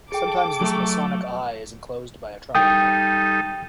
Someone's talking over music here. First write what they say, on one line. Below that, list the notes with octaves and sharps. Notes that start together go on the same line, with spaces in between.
Sometimes this Masonic Eye is enclosed by a triangle.
G#4 A4 G5 D6
F#3 A3
G3 D#4 A4 G5 D#6